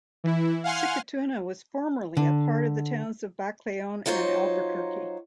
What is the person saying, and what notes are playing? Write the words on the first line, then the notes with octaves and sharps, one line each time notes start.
Sikatuna was formerly a part of the towns of Baclayon and Alburquerque.
E3 E4
F5 F#5 G#5 C6 F6
D3
F#3 D#4 F4 C5 C#5